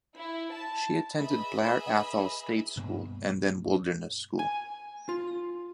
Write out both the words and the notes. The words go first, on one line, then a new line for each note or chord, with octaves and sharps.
She attended Blair Athol State School and then Wilderness School.
E4
A5
G#4 B4 D#5 E5 B5
D2 G2 B2 A#3
G#5
F4